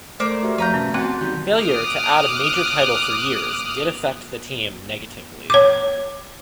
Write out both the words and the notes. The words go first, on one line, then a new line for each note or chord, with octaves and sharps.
Failure to add a major title for years did affect the team negatively.
A3 A#4 C5 D5 D6
F#4 G4 E5
F2 F3 A3 B4 A#5 G6
C2 C#4
B3 C4 F#4 F#5 A5 C6 F#6
D#3 F#3 G3 G6
D6 D#6 F6 F#6
C#5 D6